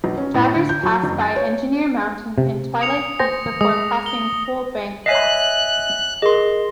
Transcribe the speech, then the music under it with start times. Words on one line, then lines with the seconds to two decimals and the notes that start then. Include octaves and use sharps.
Drivers pass by Engineer Mountain and Twilight Peak before crossing Coal Bank Pass.
0.04 B1
0.17 C#4
0.34 A2
0.55 D3
0.69 G6
0.83 F#3
1.03 F#1
1.20 A6
1.36 C#5
2.38 C3
2.81 D#6 C#7 F7
3.19 C5 G5 G#5 A#6
3.61 G#3 D#6
4.06 G7
5.06 C#5 D#5 E5 G#5 F#6 B6 C7
6.22 G#4 A#4 D#5 C6